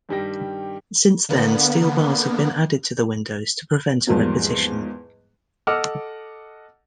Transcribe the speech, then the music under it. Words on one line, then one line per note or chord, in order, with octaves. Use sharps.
Since then steel bars have been added to the windows to prevent a repetition.
G2 D#3 G3 G4 G5 A#6
D3 A#3 B3
E2 G#2 F3 G3 A#3 B3
A4 D#5 F#5 D6 E6 F6